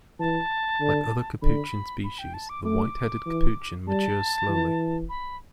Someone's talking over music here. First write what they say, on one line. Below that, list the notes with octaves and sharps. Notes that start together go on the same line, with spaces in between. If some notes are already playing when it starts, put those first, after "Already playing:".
Like other capuchin species, the white-headed capuchin matures slowly.
E3 A5
D3
D3 B5
B5
G5
A5
D6
A3 D6
E3
G3 A5
E3
B5